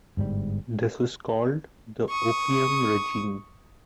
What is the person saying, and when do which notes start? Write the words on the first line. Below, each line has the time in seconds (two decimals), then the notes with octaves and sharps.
This was called the "opium-regime".
0.17 G1 G#2 B2 G3
2.09 C#6 D#6